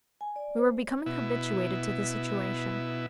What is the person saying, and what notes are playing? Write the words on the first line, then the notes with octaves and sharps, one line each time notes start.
We were becoming habituated to the situation.
G#5
D5
C5
B2 E4